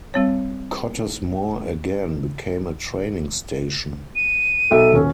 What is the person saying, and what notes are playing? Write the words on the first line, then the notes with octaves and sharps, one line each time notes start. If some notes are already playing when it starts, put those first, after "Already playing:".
Cottesmore again became a training station.
G3 C4 C#5
D#7
B1 A4 E5
D#1 C#4